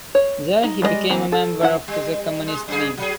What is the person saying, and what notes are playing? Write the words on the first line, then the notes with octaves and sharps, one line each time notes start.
There he became a member of the Communist League.
C#5
D#4
G3 G#3 C5 D#5
E3 A#3 C4
A4
F3 E4 F#5
G3
G#3
F#2 G#4
F#3 G#4